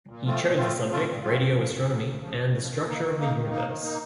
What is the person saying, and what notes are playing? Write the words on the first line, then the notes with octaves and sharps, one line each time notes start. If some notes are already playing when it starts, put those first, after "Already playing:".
He chose the subject 'Radio Astronomy and the Structure of the Universe'.
A#2
F3 A3 C4 F4
A#2
F3 A3 C4 F4
A#2
F3 A3 C4 F4
A#2
F3 A3 C4 F4
F#2
C#3 F3
F#2
C#3 F3
F#2
C#3 F3
F#2
C#3 F3
D#3
A#3 D#4
D#3
A#3 D#4
D#3
A#3 D#4
D#3
A#3 D#4